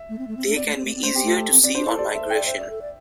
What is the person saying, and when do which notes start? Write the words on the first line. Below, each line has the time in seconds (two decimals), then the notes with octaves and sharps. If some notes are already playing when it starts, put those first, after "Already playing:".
They can be easier to see on migration.
Already playing: E5
0.09 A3
0.19 C4
0.27 A3
0.37 C4
0.47 A3
0.56 C4 D5
0.66 A3
0.75 C4
0.85 A3
0.95 C4
1.03 A3 C5
1.13 C4 G4
1.24 A3 A4
1.51 C4
1.63 C4 D5
1.75 D4 C5
1.86 E4 A4
1.98 G4 D5
2.11 A4 E5
2.22 C5
2.30 D5 G5
2.46 C5 E5
2.58 D5
2.70 A4
2.81 D5